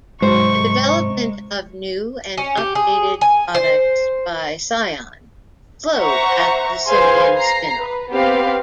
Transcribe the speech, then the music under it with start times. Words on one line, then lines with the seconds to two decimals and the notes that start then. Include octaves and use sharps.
The development of new and updated products by Psion slowed after the Symbian spin-off.
0.22 G#2 C3 F#3 G#3 C5 C#6
2.38 C#4
2.57 G4
2.75 G#4
3.21 G#5
3.55 C5
5.97 C5 E5 F#5 A#5 C#6
6.89 G#4 B4 C5 F5 G#5 C6
7.36 A#5 C7
7.76 B4
8.11 B3 C4 G4 B4 F5